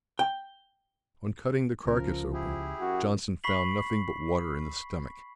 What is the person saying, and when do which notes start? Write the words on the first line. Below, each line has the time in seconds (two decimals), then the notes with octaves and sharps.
On cutting the carcase open, Johnson found nothing but water in the stomach.
0.19 G5
1.86 C#2 F3 C#4 A#4
2.33 E4 G4 G#4
2.80 F#2 F#4
3.44 B5 C#6 B6 C7 F#7